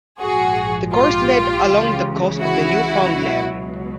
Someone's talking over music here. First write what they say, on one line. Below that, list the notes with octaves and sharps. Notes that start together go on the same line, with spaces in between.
The course led along the coast of the new found land.
A#1 G#2 F3 F#4 G#4
F4 G4
C#2 C#3 E3
E4 F#4
C#2 B2 F#3